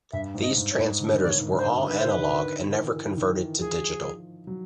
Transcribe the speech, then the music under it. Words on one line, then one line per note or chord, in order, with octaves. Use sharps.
These transmitters were all analog and never converted to digital.
G2 E5
G#2
D#5
G#2
C#5
G#2
D3
D#3
D5
D3 C#5
D#3
D3
C5
D#3
D3
D#3 B4
C5
D3
B4
D#3
D3
D#3
E3
E3
D#3
E3
F3 G#4
F#3